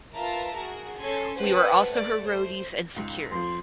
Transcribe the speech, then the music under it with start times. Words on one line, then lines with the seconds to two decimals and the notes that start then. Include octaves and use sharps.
We were also her roadies and security.
0.15 F4 A#4 B4 E5 A5 A#5
0.55 F#4 G#4 A#4
0.99 C#4 A4 G#5 C6
1.38 B4 C5 F#5 G5 A5
1.90 A3 D5
2.29 C5
2.96 C#2 G#2
3.32 F2 F3 C6